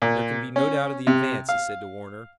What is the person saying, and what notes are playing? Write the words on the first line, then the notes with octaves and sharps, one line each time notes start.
"There can be no doubt of the advance!" he said to Warner.
A#2
C#4
C3
F5